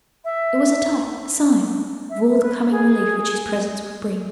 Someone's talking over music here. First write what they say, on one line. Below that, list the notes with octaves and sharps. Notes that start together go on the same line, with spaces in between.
It was a type, a sign, of all the coming relief which his presence would bring.
E5
E5
B4
G#4